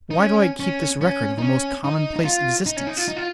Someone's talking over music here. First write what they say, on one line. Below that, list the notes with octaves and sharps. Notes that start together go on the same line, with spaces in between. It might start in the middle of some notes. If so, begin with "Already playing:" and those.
Why do I keep this record of a most commonplace existence?
D#4
C#4
C#4
C#4
D#4
C#4
D#4
D#4
F4
D#4
C#4
D#4
F4
D#4
F4